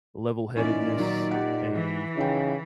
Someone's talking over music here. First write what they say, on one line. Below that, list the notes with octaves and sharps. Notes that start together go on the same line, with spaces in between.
level-headedness, a,
A#2 E3 C#4 D#4 D5
D#3 F#3
G4 F#5
E3
C#3 D#4 G5